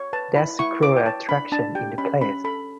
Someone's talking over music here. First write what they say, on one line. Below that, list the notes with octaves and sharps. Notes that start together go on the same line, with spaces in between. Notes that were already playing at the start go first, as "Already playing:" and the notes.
There's a cruel attraction in the place.
Already playing: C#5
B4 A5
E4 B5
E4 C#6
B4 D6
G5
C#5 A5
D4 B5
D4 A5
G4 G5
C#4 B5
C#4 B5
A4 B5